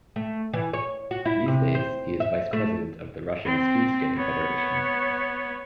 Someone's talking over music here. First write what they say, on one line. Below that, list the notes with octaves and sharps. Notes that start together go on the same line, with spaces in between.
These days, he is vice-president of the Russian Speed Skating Federation.
A3
E3
C#5
F#4
E4
C3
C5
E5
A3
C4
B3 C#5